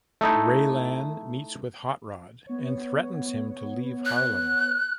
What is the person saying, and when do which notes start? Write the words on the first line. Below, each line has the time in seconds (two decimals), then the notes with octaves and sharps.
Raylan meets with Hot Rod and threatens him to leave Harlan.
0.21 A3 D#4 E4
2.47 B3 C#5
4.05 F#6